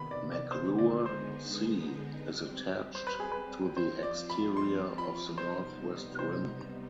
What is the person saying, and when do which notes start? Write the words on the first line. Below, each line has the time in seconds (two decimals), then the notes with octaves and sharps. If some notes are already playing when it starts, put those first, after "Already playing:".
McClure C is attached to the exterior of the northwest rim.
Already playing: C3 D#3 B3 B5
0.11 D5
0.32 D5
0.51 D3 G#3 B3 D#4 G#4 C5
0.79 D5
1.06 C5
2.14 G3 C4 G4
2.95 C5
3.07 B4
3.20 G#4
3.32 B4
3.76 F3 C4 F4 C5
4.03 D5
4.30 B5
4.57 C6
4.98 B5
5.38 C3 G3 B3 D#4 C5
6.19 C5